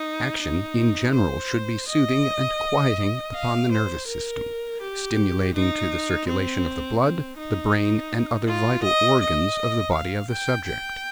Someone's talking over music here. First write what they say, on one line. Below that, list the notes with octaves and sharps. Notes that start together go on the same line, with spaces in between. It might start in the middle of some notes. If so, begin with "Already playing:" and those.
Its action in general should be soothing and quieting upon the nervous system; stimulating to the circulation of the blood, the brain and other vital organs of the body of the subject.
Already playing: D#4
D#4
C5
D#5
F5
C5
A#4
G4
D#4
C4
C4
D#4
F4
D#5
D#5
F5
G5
G5